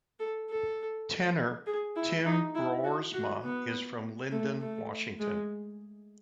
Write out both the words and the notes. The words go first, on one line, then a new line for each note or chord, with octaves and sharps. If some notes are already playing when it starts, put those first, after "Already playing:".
Tenor Tim Broersma is from Lynden, Washington.
A4
A4
G#4
E4
D#4
E4
F#4
F#4
B3
A3
A3
G#3